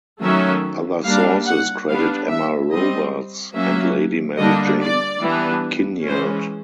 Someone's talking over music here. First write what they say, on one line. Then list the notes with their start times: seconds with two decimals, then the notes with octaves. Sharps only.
Other sources credit Emma Robarts and Lady Mary Jane Kinnaird.
0.22 D#3 F#3 A3 C#4 E5
1.04 G3 A#3 D4 F5
1.46 F#5
1.88 G3 B3 D4 F5
2.30 E5
2.72 G3 C4 D#5
3.55 F#3 A#3 C#4 E5
4.38 D3 G3 A#3 D4 D#5
4.80 D5
5.22 E3 G3 B3 D4
6.06 E3 G#3 C#4 C5